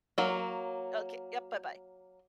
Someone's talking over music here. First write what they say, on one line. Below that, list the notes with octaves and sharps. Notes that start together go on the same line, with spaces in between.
Okay, yep, bye-bye.
F#3 A#3